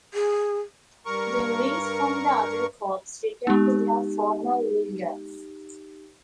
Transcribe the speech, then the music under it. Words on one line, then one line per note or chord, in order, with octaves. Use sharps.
The rings from the other corps return to their former wielders.
G#4
G2 A#4 C#6
G#3 B3 D#4 G4